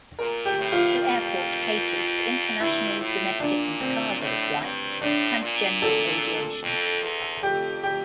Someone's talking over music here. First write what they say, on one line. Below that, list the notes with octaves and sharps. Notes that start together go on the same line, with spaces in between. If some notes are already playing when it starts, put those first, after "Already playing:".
The airport caters for international, domestic and cargo flights and general aviation.
A#2 A#4
G4
A2
F4
F2
G2 E4
A2
A#2 D4
C4
A2
G2
A2 D4
A#2
A4
F2
E2
F2 G4
G4